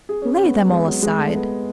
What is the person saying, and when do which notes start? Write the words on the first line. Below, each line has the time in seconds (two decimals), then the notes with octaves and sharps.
Lay them all aside.
0.09 G#4
0.22 C#4
0.33 C#4
0.45 B3
0.72 G#3
0.87 F#3
1.02 G#3
1.19 A3
1.35 B3